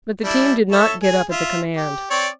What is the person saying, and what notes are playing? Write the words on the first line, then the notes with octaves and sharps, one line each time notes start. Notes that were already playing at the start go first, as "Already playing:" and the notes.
But the team did not get up at the command.
G3 D4 E4
A4 C#5 E5
G#4
F4 E5
G4
C4 C#5 D5